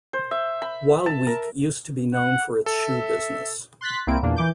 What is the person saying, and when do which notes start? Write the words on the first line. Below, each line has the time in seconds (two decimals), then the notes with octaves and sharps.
Waalwijk used to be known for its shoe business.
0.13 C5
0.31 E5
0.62 B5
1.06 A5
1.27 A#4
2.14 F#5
2.66 A4 E5
3.81 C6 F#6 A6 B6
4.07 C2 A#3 C4 E4 D7
4.23 E2 A#2 A#3 D4
4.36 E3 D6 G6